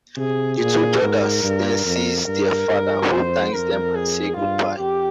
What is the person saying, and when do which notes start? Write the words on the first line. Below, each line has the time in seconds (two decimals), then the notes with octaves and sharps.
The two brothers then sees their father who thanks them and say goodbye.
0.17 C3 G#4
0.59 A#2 G#4
1.01 G#2 A#4
1.43 G2
1.85 F2
2.27 G2 A#4
2.69 G2
3.10 F2 C5
3.53 F2 A#4
3.95 G#4
4.37 G2 F4
4.79 F2 G4